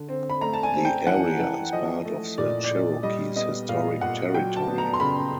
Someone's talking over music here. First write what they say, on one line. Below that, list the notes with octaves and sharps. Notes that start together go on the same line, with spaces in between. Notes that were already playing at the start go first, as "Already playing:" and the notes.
The area is part of the Cherokees' historic territory.
Already playing: D3
C4
B5
A3 A#5
A5
G#5
C4
G5
E3 F#5
E3
F3 D#5
A3
A#2 D5
D5
A#2
G3 D#5
B3 D#5
A#2 F5
A#2 F#5
F#3 G5
A5
B3
A#5
C6
C#3 B5